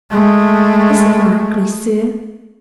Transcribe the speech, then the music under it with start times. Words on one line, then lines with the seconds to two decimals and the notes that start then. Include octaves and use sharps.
Is it likely, sir?
0.11 G#3 A3